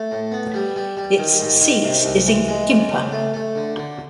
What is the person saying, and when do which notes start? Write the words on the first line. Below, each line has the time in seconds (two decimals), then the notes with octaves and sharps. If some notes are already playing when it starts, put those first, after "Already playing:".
Its seat is in Quimper.
Already playing: A3
0.11 A2
0.32 B3
0.54 G3
0.76 G3
0.97 G3
1.18 D#3
1.40 G#2
1.61 D#3
1.83 C3
2.04 C2
2.26 E3
2.48 G#3
2.69 F2
2.90 C#3
3.12 A3
3.34 A3
3.55 D3
3.77 D3